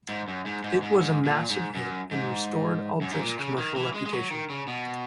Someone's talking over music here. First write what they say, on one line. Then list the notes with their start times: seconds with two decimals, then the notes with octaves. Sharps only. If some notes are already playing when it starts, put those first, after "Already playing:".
It was a massive hit and restored Aldrich's commercial reputation.
0.09 G#2
0.28 F#2
0.46 G#2
0.64 G#2
0.82 G#2
1.01 G#2
1.25 A#2
1.50 G#2
1.75 F#2
2.11 G#2
3.01 F#2
3.11 G#2
3.21 A#2
3.39 C#3
3.58 D#3
3.76 E3
3.94 G#3
4.06 G#3
4.13 F#3
4.31 D#3
4.50 C#3
4.68 B2